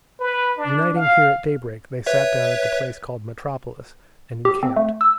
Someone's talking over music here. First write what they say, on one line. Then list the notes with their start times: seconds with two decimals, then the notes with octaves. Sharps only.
Uniting here at daybreak, they sat down at the place called Metropolis, and encamped.
0.20 B4
0.58 D4
0.95 F5
2.06 B4 C#5 E5
4.45 G4
4.63 C4
4.76 A3
5.01 E6